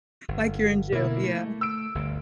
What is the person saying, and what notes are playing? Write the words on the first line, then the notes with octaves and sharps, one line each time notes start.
Like you're in jail, yeah.
G1
B2 D3 A#3 E4
A3
E6 D7
G1 D2